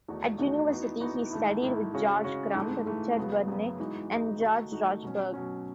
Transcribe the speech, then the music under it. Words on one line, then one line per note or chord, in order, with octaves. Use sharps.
At university, he studied with George Crumb, Richard Wernick, and George Rochberg.
E2 D#3 A3 D#4 F#4
E2 D#3 A3 D#4 F#4
E3 B3 D#4 F#4
E3 B3 D#4 F#4
G#2 D#3 A3 E4
G#2 D#3 A3 E4
C#3 G#3 C#4 F#4
C#3 G#3 C#4 F#4
G#2 E3 A3
G#2 E3 A3
F#2 C#3 F#3 B3
F#2 C#3 F#3 B3
G#2 E3 G#3 D#4 F#4
G#2 E3 G#3 D#4 F#4
D#3 A3 D#4 F#4
D#3 A3 D#4 F#4
B2 F#3 C#4
B2 F#3 C#4